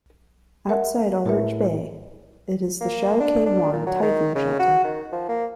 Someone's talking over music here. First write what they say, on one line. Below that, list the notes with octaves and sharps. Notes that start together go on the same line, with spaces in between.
Outside Aldrich Bay, it is the Shau Kei Wan Typhoon Shelter.
A#4 E5 F#5
A2 A#4 B4 E5
A#3
D4
D4
A#2
F#3
D#3
C#3
F#4
D#3
F3
A#3